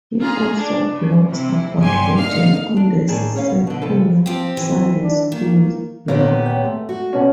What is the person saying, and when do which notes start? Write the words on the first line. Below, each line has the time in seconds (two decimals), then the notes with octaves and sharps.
He also blogs about religion on the Secular Sunday School blog.
0.20 F4 G#4 A#5
0.56 D4
0.91 C#3
1.28 C3 E4
1.78 G1 C2 F#2 G4 G#5 C6
2.17 A2 D3 D#4 F5 F6 C7
2.77 D4
3.08 A2 D#3 A#3 G#4 D5 A5
3.36 C#4 C#5 F5
3.50 B2
3.67 B2 D3
3.82 C3 F3 A4 B4
4.26 F3 C4 G4
4.57 E3 C4
5.02 D4
5.32 D#3 A#3
6.08 A#2 D3 B3 C4 G4 C#5
6.46 D2 C#5 G5
6.64 G#3 A3
6.89 F#4
7.13 B2 C#4